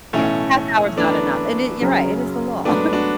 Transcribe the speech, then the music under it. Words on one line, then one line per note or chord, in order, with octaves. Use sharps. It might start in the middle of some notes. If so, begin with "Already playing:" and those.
Yeah, a half hour is not enough and it you're right it is the law.
B1 A2 E3 A3 C#4
F#2 E3 A3 B3 D4
F#1 F#2 C#3 F#3 C#4
G#2 F#3 A3 B3 D4
D4 F#4